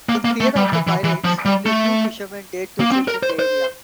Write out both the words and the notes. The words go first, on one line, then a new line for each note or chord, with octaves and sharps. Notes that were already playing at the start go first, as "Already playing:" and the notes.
In fear of the pirates, only few fishermen dared to fish in the area.
A#3
A#3
A3
G3
E3
E3
E3
F3
G3
A3
A#3
C4
A#4
C5
C5